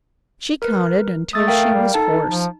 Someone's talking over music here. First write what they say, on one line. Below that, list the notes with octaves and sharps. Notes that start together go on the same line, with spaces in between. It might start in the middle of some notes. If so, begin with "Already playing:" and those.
She counted until she was hoarse.
A#4 B4
A3 D#6 E6 A6
A#4 F5 G5
G3
D#4 A4 A5
F3